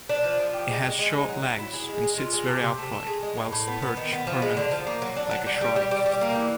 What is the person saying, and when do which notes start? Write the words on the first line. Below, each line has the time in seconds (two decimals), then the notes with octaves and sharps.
It has short legs and sits very upright whilst perched prominently, like a shrike.
0.09 D4
0.24 F3
0.39 F3
0.53 G4
0.69 G#3
0.84 G#3
0.99 G#3
1.13 D#4
1.28 F#3
1.44 F#3
1.59 E4
1.73 G#4
1.88 G#3
2.03 G#3
2.18 F4
2.33 G#3
2.48 C3
2.63 C3
2.77 A3
2.92 A3
3.07 G#3
3.22 G#3
3.37 A2
3.52 A2
3.67 B3
3.82 B3
3.97 D#3
4.12 B3
4.27 F3
4.42 G#3
4.57 D3
4.71 F3
4.87 A#3
5.02 F#3
5.17 D4
5.31 F#3
5.46 G3
5.61 G3
5.76 G3
5.91 G3
6.06 G3
6.21 A#3
6.36 E3